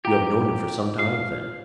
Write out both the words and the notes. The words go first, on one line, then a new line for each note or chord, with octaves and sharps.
"You have known him for some time, then?"
F4 G4 G5 A#5
F4 F5